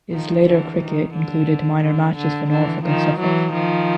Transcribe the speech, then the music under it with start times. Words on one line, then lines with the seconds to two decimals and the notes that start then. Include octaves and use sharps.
His later cricket included minor matches for Norfolk and Suffolk.
0.11 D#3 F3
0.46 D3 E3
0.80 D#3
1.14 D3
1.83 D3
2.17 D3
2.51 D3 E3
2.85 D#3 F3
3.19 E3 F#3
3.53 D#3 F3